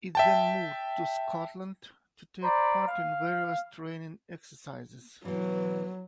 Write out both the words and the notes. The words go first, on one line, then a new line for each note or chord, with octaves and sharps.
It then moved to Scotland to take part in various training exercises.
E5 G5 A5
C5 D5 A#5 B5
F5
B2 E3 F#3